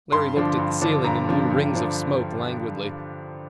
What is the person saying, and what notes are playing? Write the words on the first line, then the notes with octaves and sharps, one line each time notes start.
Larry looked at the ceiling and blew rings of smoke languidly.
G2 C6
D3 F3 D4
G2
D3 F3 D4
G2 A#5
D3 F3 D4
G2
D3 F3 D4